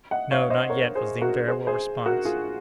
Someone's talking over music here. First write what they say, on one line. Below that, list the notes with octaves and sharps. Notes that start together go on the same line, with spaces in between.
"No, not yet," was the invariable response.
D#5 F#5
C#5 F5
C5 D#5
A#4 C#5
G#4 C5
F#4 A#4
G#4 C5
G#4 C5
F#4 A#4
F4 G#4